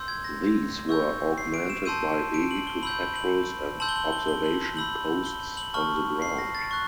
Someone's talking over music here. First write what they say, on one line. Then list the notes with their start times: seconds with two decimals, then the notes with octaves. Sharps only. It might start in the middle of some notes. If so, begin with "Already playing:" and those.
These were augmented by vehicle patrols and observation posts on the ground.
Already playing: C6 E6 G6
0.08 G#6
0.24 A#6
0.89 C#6 E6 G6
1.38 C7
1.54 D7
1.70 E7
1.85 A5 C6 E6 G6 D#7
2.34 D7
2.51 F#7
2.67 G7
2.83 B5 E6 G6 F#7
3.16 F#7
3.80 A5 C6 E6 G6 F#7
3.89 G7
3.96 F#7
4.12 G7
4.28 G7
4.44 F#7
4.77 B5 E6 G6 F#7
5.25 G7
5.57 F#7
5.74 A5 C#6 F6
6.22 C7
6.38 A#6
6.55 A6
6.71 C#6 F#6